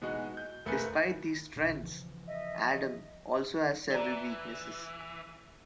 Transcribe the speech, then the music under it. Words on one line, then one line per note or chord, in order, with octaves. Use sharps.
Despite these strengths, Adam also has several weaknesses.
B2 E3 G#3 D#4 F#4
G6
E1 A3 A#4 B4 G#5 C#7
A#1 B2
C#3 E3 F3
D#5 E5
E3 D5 A#5